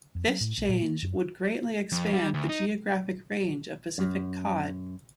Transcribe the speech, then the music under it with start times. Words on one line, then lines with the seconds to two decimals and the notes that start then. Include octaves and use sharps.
This change would greatly expand the geographic range of Pacific cod.
0.15 F2
0.28 F#3
0.41 A2
0.57 B1
0.69 A#2
0.82 A#3
1.02 F#2
1.92 F2
2.13 G3
2.34 D2
2.49 D#4
3.98 F#2